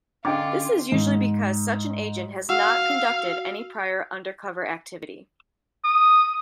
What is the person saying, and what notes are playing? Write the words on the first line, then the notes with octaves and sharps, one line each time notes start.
This is usually because such an agent has not conducted any prior undercover activity.
D3 C#4 D4 F4 D5 D#5 G5 D6
G#2
F#4 F5 E6
D#6